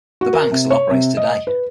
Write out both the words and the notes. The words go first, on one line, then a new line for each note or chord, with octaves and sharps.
The Bank still operates today.
F#4
A#4
C3
C#5
C3
D#5
B4